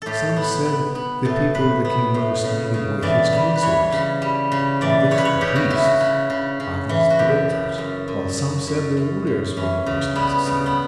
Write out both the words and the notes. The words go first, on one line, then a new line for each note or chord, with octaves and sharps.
Some said, the people the King most needed were his councillors; others, the priests; others, the doctors; while some said the warriors were the most necessary.
A2 G4 A4
B3
B3
B3
A2 A4
A2 B4
B3
A2
C#3
C#3
E3 D5
G3
B4
E3 C#5
C#3
G3
C#3
E3 D5
C#3 C#5
B4
C#5
C#3 G4
F#4
C#3 E4
F#4
C#3
C#3
C#3
E3
F#4
F#2 G4
C#3
F#2
F#2
F#3
F#2
F#2
F#2
E3 C#4
C#3
G3 B3
C#3
B3